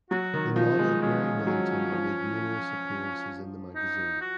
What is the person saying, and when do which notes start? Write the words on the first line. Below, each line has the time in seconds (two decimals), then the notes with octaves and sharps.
The model Mary Millington made numerous appearances in the magazine.
0.10 F#3 F#4
0.34 D#3
0.56 F3 D#4
0.79 G#3
1.02 G#3 C#4
1.47 F#3
1.92 F3
3.75 D#4
4.21 F#4